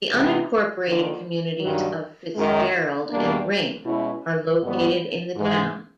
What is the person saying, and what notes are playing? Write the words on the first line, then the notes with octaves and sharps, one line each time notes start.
The unincorporated communities of Fitzgerald and Ring are located in the town.
C3 E3 G#3 B3 E4
D#2 D3 F3
G2 D#3 F#3
F#2 D#3 G#3
E2 B2 G3 A#3 D4
B2 G#3 C#4 E4
G#2 D#3 G3 B3
G#2 E3 G#3